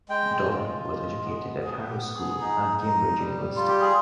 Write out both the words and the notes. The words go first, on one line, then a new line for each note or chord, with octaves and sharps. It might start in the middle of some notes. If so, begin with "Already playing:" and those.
Dolling was educated at Harrow School and Cambridge University.
G#3 G5
F4
G#3
B3
B3 G#4
G4
B3
G#4
D#4
D#4
G3
F4
G4
G#4